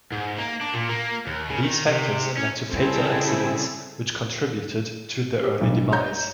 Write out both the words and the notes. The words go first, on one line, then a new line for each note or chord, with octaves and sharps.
These factors led to fatal accidents which contributed to their early demise.
G#2
A#3
D4
A#2
A#3
D#2
C#3
D#3
C3
C#4
C#3 G3 C4 E4 G#4 A4
G4 G#4
B1 G2
C#5 A#5 G6